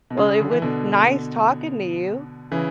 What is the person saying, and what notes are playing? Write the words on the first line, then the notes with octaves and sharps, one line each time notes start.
Well, it was nice talking to you.
B2
C#3
D3
E3
B2 D3
C#3 E3